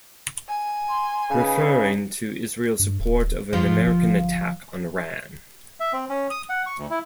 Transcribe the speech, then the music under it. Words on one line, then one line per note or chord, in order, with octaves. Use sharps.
Referring to Israel's support of an American attack on Iran.
G#5
C6
C#3 D#4 G#4 B4
G2
D1
F2 F3
G#2
G1
E5
C4
C#4
D#6
F#5
C#6
D2
E4